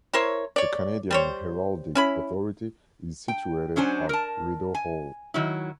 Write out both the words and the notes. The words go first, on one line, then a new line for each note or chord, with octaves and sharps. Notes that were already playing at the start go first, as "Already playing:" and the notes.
The Canadian Heraldic Authority is situated at Rideau Hall.
E4 A#4 C5 C#5
C#5 D5
G3 C5 C#5
C#4 E4 B5
G5
F#3 C#4 D4 C5 G#5
A#4 A5
G#5
D#3 F#3 E4